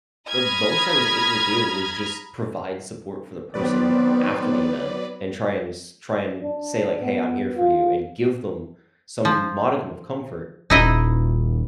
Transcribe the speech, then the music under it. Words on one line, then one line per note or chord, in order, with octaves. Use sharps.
the most I was able to do was just provide support for the person after the event and try and s try and say, like, "Hey, I'm here for you," and give them some modicum of comfort.
A#5 B5 D#6 F6 G#6
D#3 F#3 B3 C4 B4 D5
D4
B3
F4
F3
D#1 D#4 E4 D#5